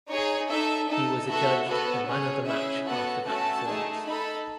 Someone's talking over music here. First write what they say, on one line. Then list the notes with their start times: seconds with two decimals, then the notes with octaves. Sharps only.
He was adjudged the man of the match after that performance.
0.09 D#4 G#4 C#5
0.49 D#4 A4 E5
0.89 D#4 A4
1.28 B3 F#4 A4 E5
1.68 B3 F#4 A4 B4
2.07 C#4 G#4 C#5
2.47 C#4 E4 G#4 E5
2.86 B3 F#4 A4 F#5
3.26 A3 C#4 F#4 A4 A5
3.65 A3 D#4 G#4
4.05 D#4 A4 B5